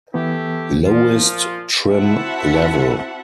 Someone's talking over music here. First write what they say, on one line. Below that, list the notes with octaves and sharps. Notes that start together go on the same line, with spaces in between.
Lowest trim level.
E3 A3 B3 E4 G4
A#2 F3 F4
C4 E4 F#4 E5 F#5 A5